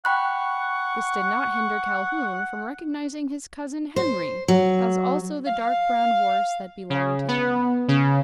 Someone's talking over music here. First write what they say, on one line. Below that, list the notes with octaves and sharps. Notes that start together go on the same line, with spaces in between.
This did not hinder Calhoun from recognising his cousin Henry, as also the dark brown horse that belonged to him.
F#5 G5 B5 C#6 F#6
C5
F#3
F5
C#3
B3
C#3